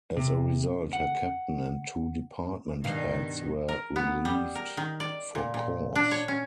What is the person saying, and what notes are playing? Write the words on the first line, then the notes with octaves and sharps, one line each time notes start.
As a result, her captain and two department heads were relieved for cause.
C3
F#5
G2 B2 D#3 F5
A#4
B3
G3
A#4
D#3
D5
A#2
A#2
D4
C#5
C#4